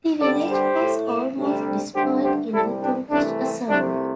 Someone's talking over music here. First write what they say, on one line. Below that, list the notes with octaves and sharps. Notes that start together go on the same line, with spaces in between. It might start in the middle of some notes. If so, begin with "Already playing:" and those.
The village was almost destroyed in the Turkish assault.
G2 D3 G3 A4 D5
G4 C5
A2 A3
D2 C3 G3
G2 D3 A3 G4 C5
G4 C5
C2 C3 G3 E4 A4
D4 G4
C2 C3 E3 A3 D4
C4
C2 C3 A3 D4